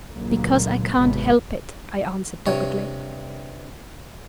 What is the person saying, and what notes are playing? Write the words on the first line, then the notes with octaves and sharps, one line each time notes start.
"Because I can't help it," I answered, doggedly.
C#2 A#2 D3 F#3 A#3
G#1 G#2 C3 F#3 B3
G2 C3 C#5